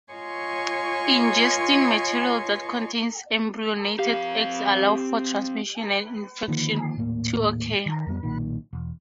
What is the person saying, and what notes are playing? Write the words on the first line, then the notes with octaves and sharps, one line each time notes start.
Ingesting material that contains embryonated eggs allows for transmission and infection to occur.
F4 C#5 D#5 G#5 C6 C#6
C4 G4 F5
D3 D#3 F3 A#3
D#1 A2 A#3
D#3
F2 G3 B3
B1 A#2 D#3
E1